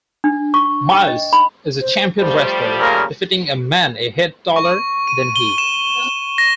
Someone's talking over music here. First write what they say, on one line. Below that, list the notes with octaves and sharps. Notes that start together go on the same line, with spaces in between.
Myles is a champion wrestler, defeating a man a head taller than he.
D4
C#6
G5
D#5
B5
C5
F3 G3 A3 C5
A#2 C#3 A#4
C#6
D#7
G7
E7
A#6